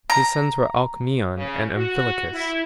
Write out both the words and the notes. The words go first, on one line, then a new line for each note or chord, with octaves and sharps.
His sons were Alcmaeon and Amphilochus.
A#5
C#3
F#4
E4